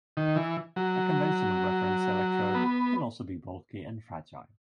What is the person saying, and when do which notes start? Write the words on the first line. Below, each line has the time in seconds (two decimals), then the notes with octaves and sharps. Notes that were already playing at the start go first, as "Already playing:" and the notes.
A conventional reference electrode can also be bulky and fragile.
0.17 D#3
0.36 E3
0.76 F#3
2.55 B3